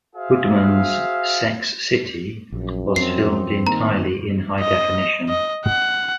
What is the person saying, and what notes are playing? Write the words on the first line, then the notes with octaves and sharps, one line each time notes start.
Woodman's "Sex City" was filmed entirely in high definition.
F#4 G#4 C5 E5 F5
A#1 F#2
F2 C4 C7
D#3 A#3 A#5
D#5
D#5
F#5